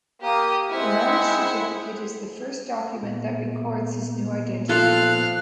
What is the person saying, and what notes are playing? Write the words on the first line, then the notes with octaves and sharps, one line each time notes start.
The marriage certificate is the first document that records his new identity.
A#3 G4 D#6
G#2 G#3 C4 E4 F#5
A#2 A#3 B3
F3 A4 C5 F5 F#6